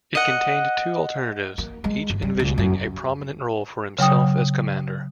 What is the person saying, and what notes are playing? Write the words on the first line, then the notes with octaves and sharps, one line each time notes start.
It contained two alternatives, each envisioning a prominent role for himself as commander.
D#5 F#5
A#3
G#3
G1
G3
C#2
F#2
C#3 F#3 G5 D#6